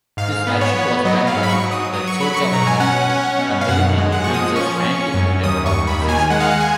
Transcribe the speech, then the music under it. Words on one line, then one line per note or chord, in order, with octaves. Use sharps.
This action was done by the Church of Humanity, a militant, religious anti-mutant organization.
G#2 F5
B3
C#5
B3
F#3 D#5
F5
G#2
B5
C#6
F#3
D#6
F#3 D#6
C#6
F#3 B5
C#6
B2 A#5
G#5
C#4 F#5
C#4
B2
F5
F#2 F#5
G#3
F#5
F3 C#6
D#6
C#4 C#6
C#4
F#2
D#2 D#6
C#6
D#2
B5
D#3
G#5
G#3 F#5
F5
F#5
G#5